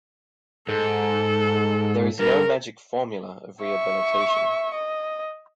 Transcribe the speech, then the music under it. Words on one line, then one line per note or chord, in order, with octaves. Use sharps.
There is no magic formula of rehabilitation.
G#2 A4
G2 A#4
E5 C#6
D#5